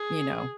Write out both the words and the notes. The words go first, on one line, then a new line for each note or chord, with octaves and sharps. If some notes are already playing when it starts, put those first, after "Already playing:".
you know,
Already playing: G#4